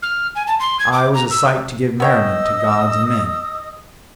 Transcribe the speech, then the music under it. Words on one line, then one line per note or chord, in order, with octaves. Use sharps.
I was a sight to give merriment to gods and men.
F6
G#5
A5
C6
G#6
D6
A#5
E6
B3 C#5 D#5 G5 D#6 E6